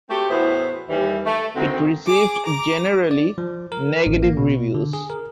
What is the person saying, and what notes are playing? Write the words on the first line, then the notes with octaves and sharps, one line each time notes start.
It received generally negative reviews.
A3 C4 F#4 G4
E2 A2 B3 E4 F#4 C5
D#2 E3 G3
A3
D2 D3 D#3 C4
G#4 D6
A#5 D6
D5
F3
A#4
A1
A#3
B2
D3
G#4
A#4